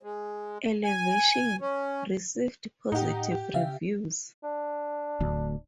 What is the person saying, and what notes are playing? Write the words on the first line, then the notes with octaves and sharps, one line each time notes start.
"Elevation" received positive reviews.
G#3
G#5
C#4
A2 D#4 G4 F#5
G4
C#3 E5 F5
D4
D1 D2